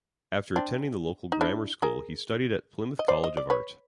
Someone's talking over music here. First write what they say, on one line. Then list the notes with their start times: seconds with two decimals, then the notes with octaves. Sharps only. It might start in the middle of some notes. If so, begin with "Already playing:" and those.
After attending the local grammar school he studied at Plymouth College of Art.
0.56 C4 D4
1.32 D#4
1.41 D4 E4
1.82 G#4 A#4
2.99 D#5
3.08 C5 D5
3.24 D#5
3.37 D5
3.50 B4 C#5